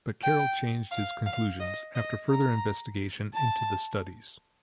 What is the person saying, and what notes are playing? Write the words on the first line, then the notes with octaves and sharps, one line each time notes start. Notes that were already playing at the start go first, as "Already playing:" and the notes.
But Carroll changed his conclusions after further investigation into the studies.
G5
F5
F5
D#5
D#5
A#5
A5